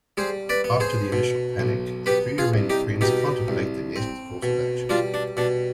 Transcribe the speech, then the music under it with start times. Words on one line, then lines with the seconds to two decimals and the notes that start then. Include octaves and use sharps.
After the initial panic, the three remaining friends contemplate their next course of action.
0.17 G3 G#4 C5
0.49 B4 D5
0.64 B3
0.80 G#4 C5
1.12 B2
1.59 B1
2.06 B3 G4 B4
2.38 F4 G#4
2.54 C2
2.70 D#4 G4
3.01 B2 D#4 G4
3.48 C2
3.96 C4
4.43 B2
4.89 G3 D4 F4
5.14 D4
5.37 B2 D4